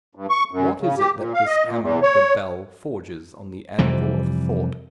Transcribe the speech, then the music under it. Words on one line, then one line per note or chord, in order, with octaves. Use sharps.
What is it that this hammer, the bell, forges on the anvil of thought?
G2
C#6
F#2
C#3
G4
A#2
F5
D#5
A#2
E2
C#5
F2 C3 E3 G3